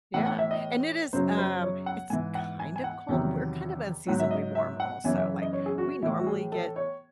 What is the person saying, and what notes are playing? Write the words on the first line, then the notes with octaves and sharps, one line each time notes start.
Yeah, and it is, um it's kind of cold we're kind of unseasonably warm, also, like, we normally get
A2 E3 F#5
F#5
E5
D#5
F#2 C#3 F#3 C5
C5
C#5
F#5
G#2 E3 G#5
F#5
G#5
G#5
F#5
E2 C3 D#3 F#3
G#2 F#3 F#5
E5
D#5
E5
F#5
F#2 C#3 E3 G#5
E5
D#5
C#5
G#4
F#4
A2 E3 E4
F#4
G#4
A4
C#5